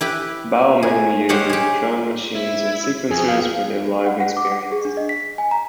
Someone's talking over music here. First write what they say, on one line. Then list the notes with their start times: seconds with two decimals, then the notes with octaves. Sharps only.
Bile mainly uses drum machines and sequencers for their live experience.
0.01 E4 G4 B4
0.83 G#4
1.29 G4 C5 C#5 D#5 F5 F#5
1.50 G4 G#4
2.35 E4
3.11 F2 G#4
3.28 F5
4.07 F#5
4.21 F#5
4.37 D6
4.52 F#5
4.72 G#4
4.85 D4
4.97 D#5
5.09 B6
5.38 G#5
5.51 A#5